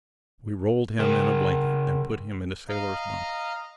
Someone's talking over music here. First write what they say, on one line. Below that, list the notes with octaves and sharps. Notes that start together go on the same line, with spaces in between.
We rolled him in a blanket and put him in a sailor's bunk.
C#3 A#4
D#5 F5 A#5